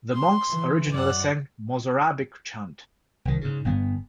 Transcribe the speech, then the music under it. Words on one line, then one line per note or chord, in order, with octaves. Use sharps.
The monks originally sang Mozarabic chant.
C6
E3
F#2 D5 F#5
C2 D#3
G#2 C#3
G1 G2 B3